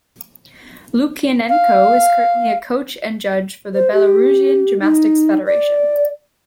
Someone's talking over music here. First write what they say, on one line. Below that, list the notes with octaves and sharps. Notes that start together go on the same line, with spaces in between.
Loukianenko is currently a coach and judge for the Belarusian Gymnastics Federation.
F5
C5
G4
D#4
D5